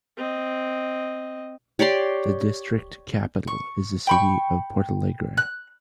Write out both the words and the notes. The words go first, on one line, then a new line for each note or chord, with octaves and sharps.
The district capital is the city of Portalegre.
C4 D#5
G4 C#5 D5 C6
C#6
G5 B5 C#6
F#6